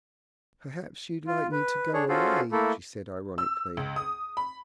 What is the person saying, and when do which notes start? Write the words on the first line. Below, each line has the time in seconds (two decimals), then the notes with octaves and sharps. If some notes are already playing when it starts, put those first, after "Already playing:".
"Perhaps you'd like me to go away," she said ironically.
1.27 F4
1.52 B4
1.94 D4 G#4 C#5
2.09 C#4 F4 F#4 G#4 A4 C5
2.52 A3 A#3 E4 A4
3.38 E6
3.77 C#2
3.96 D#6
4.37 B5